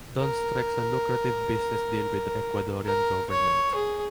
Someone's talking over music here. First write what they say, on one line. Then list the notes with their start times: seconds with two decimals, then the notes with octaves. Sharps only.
Don strikes a lucrative business deal with the Ecuadorean government.
0.19 A#4
2.85 A#4
3.30 C#5
3.74 G#4